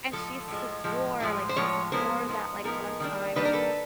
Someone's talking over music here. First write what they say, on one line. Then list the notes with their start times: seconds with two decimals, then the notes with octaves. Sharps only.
And she swore, like, she swore that, like, one time she
0.12 A2 F3 G#3 A4
0.48 A2 F3 G#3
0.84 A2 F3 G#3
1.20 A2 F3 G#3
1.49 C5
1.56 A2 F3 G#3 C#5
1.92 A2 F3 G#3 B3 A#4 C5
2.28 A2 F3 G#3 B3 D#4
2.64 A2 F3 G#3 B3 D#4 G#4 A#4
3.00 D#3 G3 A#3 D4
3.36 D#3 G3 A#3 D4 B4
3.45 A#4
3.53 A4 B4